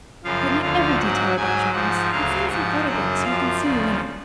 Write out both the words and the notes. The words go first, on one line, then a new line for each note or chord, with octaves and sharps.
Write me every detail about your house, and send some photographs, so I can see you in it.
F#2 C#3 F3 F5
D2 D3 F3 F5
G#2 F#3 F#5
G#2 F#3 G#5
G#2 F3 F#5
D2 C#3 F#3 F5
G#2 F3 F#5
F#2 C#3 F#3 F#5
F3 F5
F#2
D2 C#3 F3 D5